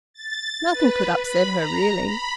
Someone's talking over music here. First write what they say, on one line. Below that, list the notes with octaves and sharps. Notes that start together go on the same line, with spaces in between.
Nothing could upset her, really.
A6
B4
B5
A#5
B5